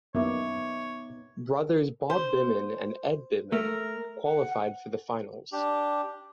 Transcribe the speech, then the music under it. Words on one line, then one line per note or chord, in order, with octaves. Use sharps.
Brothers Bob Byman and Ed Byman qualified for the finals.
F#2 A#3 B3 D#4 E4 C#5 E5 D6
C5
A3 A#4
F#5
D4 G4